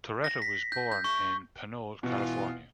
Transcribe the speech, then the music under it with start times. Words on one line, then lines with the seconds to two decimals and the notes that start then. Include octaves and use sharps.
Torretta was born in Pinole, California.
0.24 A#6
0.42 B6
0.72 G6
0.92 G6
1.04 C#6
2.03 B2 E3 F4